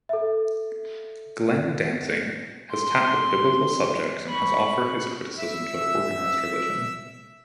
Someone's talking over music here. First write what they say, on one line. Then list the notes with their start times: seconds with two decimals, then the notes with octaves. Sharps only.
Glenn Danzig has tackled Biblical subjects and has offered his criticisms of organised religion.
0.09 A4 E5
2.71 C6
4.28 B5 C#6
5.38 E5 E6